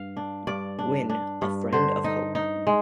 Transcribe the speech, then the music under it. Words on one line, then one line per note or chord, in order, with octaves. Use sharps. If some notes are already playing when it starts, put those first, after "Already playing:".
Wynne, a friend of Hoke.
Already playing: G2 F5
D4
G2 D5
D4
D4
G2
D3 C5
D#4
D#4
G#3